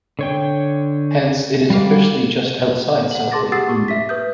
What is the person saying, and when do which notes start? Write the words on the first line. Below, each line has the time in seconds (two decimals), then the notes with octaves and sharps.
Hence, it is officially just outside South Lake Union.
0.19 D3 C#5 G5
1.70 G3 F#4 F5 D6
3.11 F#5 F#7
3.31 G#4 A5 C6 D6 A6 A#6
3.52 G4 F#5 D#6 E6 A6 C7
3.69 C#6 D6
3.88 E5 B6
4.09 B4 D#6 G6